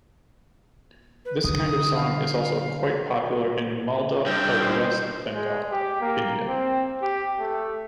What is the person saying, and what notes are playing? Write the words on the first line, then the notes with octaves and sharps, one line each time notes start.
This kind of song is also quite popular in Malda of West Bengal, India.
B4
D3 D#6
F5
G2 D#3 G5
C5
G#3
G4
A#3
C4
G4
A3